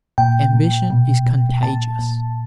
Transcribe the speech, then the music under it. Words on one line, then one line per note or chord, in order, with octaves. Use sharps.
Ambition is contagious.
A#2 G5
A#2
B2
B2
A#2 A5
A#2